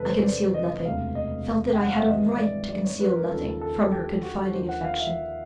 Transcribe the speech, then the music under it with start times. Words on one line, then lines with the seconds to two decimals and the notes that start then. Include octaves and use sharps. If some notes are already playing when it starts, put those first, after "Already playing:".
I concealed nothing--felt that I had a right to conceal nothing--from her confiding affection.
Already playing: E2 C3 E3 G3 A4 B4
0.09 C5
0.24 D5
0.54 D#5
0.85 E1 D2 C3 F5
1.15 D#5
1.73 G5
1.82 F#5
1.90 F5
1.99 E5
2.08 G#1 G#2 E3 G3 D#5
2.38 D5
2.70 D5
2.85 C#5
3.00 B4
3.16 A#4
3.31 D#2 C#3 F3 A4
3.61 A4
3.92 G4
4.23 F#4
4.54 D#2 D3 F3 C5
4.69 F#5
4.84 F5
5.00 E5